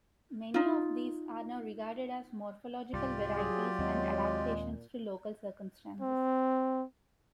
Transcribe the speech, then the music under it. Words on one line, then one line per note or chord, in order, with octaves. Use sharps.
Many of these are now regarded as morphological varieties and adaptations to local circumstances.
D#4 F4
C2 G#2 F4 G4 D5
F#3 G#4
D#2 G#3 C4
A#2
C4